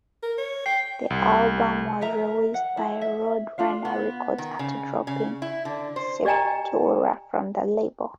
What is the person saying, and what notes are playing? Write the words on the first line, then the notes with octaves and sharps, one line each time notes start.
The album was released by Roadrunner Records after dropping Sepultura from the label.
A#4
C#5
G5 C7
C2
A#4 E5 A#5
F#5
E4
E5
D4 F4 F5
B3
D#3
C#3
C#3
E4
D3
C5
G4 D5 D#5 G5 G#5 A#5